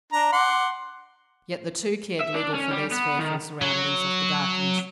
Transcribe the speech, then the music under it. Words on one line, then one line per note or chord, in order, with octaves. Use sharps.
Yet the two cared little for these fearful surroundings of the darkness.
D4 A#5
F#5 C6 D6
E5
D4
C#4
G3
B3
D#3
F#3